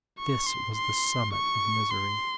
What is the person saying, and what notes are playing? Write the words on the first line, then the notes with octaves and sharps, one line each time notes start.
This was the summit of misery.
C#6
C6
C6
C#6
C6